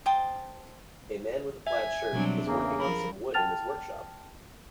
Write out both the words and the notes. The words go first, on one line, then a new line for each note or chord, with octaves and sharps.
A man with a plaid shirt is working on some wood in his workshop.
C5 G5 A5 D#6
E5 G#5 G#6
B2 F#3 G3 C4 D4
E2 C#3 A#3 G#4
F3 F#3 A#4 B5
F#5 G5 A5 F6 A6 F7